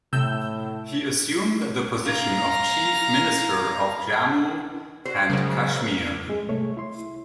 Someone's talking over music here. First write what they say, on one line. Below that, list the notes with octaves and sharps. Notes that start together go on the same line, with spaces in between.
He assumed the position of Chief Minister of Jammu and Kashmir.
A2 C3 E6 G6
F5 A#5
F#4 C5
C#3 F#3 G#3 A#4
G#2 G#3
C2 A3 C#5
E4 C6